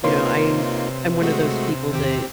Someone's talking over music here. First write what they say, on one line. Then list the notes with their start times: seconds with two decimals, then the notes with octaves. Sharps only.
you know, I I'm one of those people that
0.04 C3 A#3 D#4 F4 B4 C#5 C6
1.22 G#3 A3 F#4
1.93 E2 D#3 C4 G4